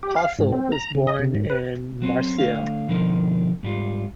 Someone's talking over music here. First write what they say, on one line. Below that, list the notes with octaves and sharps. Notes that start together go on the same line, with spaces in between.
Possel was born in Marseille.
G4
F5
G#2
C4
A#5
C#3
D#5
C3
G#2
B4
F#3 C4 C#4
D3 A3 F5
B2 D3 F3 D#4 A#4
G#2 G3 F4